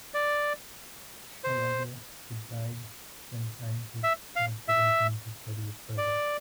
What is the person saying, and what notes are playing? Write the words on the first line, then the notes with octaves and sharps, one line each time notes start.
However, it died when scientists cracked it open to study it further.
D5
C5
E5
F5
E5
D5